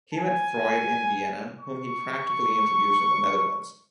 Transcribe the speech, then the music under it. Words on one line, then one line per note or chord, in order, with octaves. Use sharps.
He met Freud in Vienna, whom he practically introduced in the Netherlands.
G#5
C#6